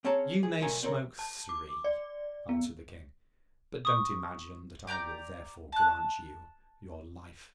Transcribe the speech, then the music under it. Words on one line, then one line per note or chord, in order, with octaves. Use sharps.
'You may smoke three,' answered the King. 'But don't imagine that I will therefore grant you your life.'
C4 C#4 G#4 C#5 A5 A#5
G#4
B1 B2 F3 A3 A#4 G#5
C4 C#4 A4 A#4
A5
D6
D5
B3
C#6 D#6
G4 D5 A#5 G6
A5 F#6